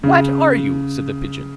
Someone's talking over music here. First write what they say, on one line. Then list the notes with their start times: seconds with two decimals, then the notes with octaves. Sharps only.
WHAT are you?' said the Pigeon.
0.03 C#3